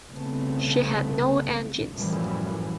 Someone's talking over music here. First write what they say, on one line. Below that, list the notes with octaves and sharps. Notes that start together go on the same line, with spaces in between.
She had no engines.
C2 C#3 A3 B3 C4
F#2 A2 E3 F3 G3